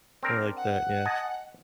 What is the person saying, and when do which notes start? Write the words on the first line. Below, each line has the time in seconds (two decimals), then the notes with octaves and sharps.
I like that, yeah.
0.23 C4 D4 A#4
0.57 F#5
1.05 D#5 G#5 A5